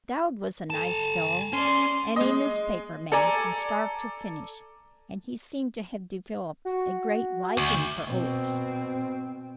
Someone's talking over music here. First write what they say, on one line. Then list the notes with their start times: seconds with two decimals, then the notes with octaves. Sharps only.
Dowd was a nice fellow, and a newspaper man from start to finish, and he seemed to have developed a great liking for Oakes.
0.70 A4 G#5 A5
1.53 C#4 D5 C6
2.16 G#3 D#5
3.12 A4 D5 G#5 A#5
6.65 F#4
7.57 D2
8.09 B2 C4